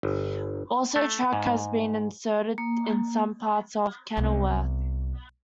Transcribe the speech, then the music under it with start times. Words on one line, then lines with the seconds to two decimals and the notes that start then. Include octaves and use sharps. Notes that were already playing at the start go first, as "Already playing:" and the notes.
Also track has been inserted in some parts of Kenilworth.
0.03 G1
0.96 A3
1.33 G#2
2.58 A#3
4.17 C2 B3